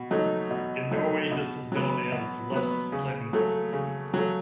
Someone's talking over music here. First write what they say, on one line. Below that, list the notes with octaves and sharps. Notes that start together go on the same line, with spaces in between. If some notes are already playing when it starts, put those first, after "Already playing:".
In Norway, this is known as "lefse-klenning".
Already playing: B2
F#3 A3 D#4
B2
F#3 A3 D#4
B2
F#3 B3
B2
F#3 B3
C#3
F#3 A3
C#3
F#3 A3